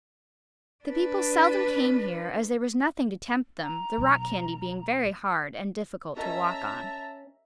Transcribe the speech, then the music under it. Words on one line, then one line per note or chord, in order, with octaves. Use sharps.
The people seldom came here, as there was nothing to tempt them, the rock candy being very hard and difficult to walk on.
D4 B4
A#5
B1
C#4 G4 A#4 D#5 E5 A5 A#5